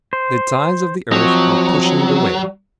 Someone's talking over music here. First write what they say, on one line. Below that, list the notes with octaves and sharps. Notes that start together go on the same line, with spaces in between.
The tides of the earth are pushing it away.
C5
F3 F#3 C4 D#5